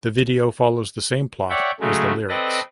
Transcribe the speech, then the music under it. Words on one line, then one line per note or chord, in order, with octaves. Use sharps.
The video follows the same plot as the lyrics.
C#5 D5 E5 F#5 G5 D6
C#3 F#3 G#3 A3
C4 A4 B4 D5 D#5 A#6